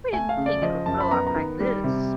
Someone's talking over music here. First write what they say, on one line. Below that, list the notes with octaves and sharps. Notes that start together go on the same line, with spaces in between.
We didn't think it would blow up like this.
A3 G#5
F5
C#3
D5
F3 D#5
F#2 A5
B5
B3 A#5
A#5
D#3
G3
C3